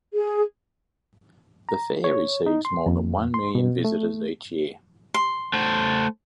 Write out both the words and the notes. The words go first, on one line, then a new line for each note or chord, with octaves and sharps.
The Fair receives more than one million visitors each year.
G#4
A#5
C#5
D#4
C6
F2
C6
B2
A3
C6
A3 C5